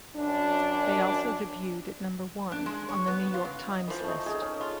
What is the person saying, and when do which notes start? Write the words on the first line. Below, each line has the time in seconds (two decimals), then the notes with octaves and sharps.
They also debuted at number one on "The New York Times" list.
0.15 F#2 D4
2.52 D4
2.66 G#3
2.89 C#5
3.07 B3
3.34 F4
3.45 C#3
3.68 D#5
3.88 E3 F3
4.04 A3 D#4
4.26 C#3 G#4 A4
4.41 C#4
4.61 F4